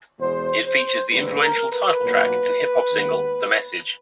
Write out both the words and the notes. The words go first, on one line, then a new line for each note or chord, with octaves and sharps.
It features the influential title track and hip-hop single "The Message".
E2 B2 G#3 C5
C5
A1 G#2 D#3 G3 A#3 B4
A#4
B4
B1 A#2 F#3 A#3
D#2 D#3 G#3 B3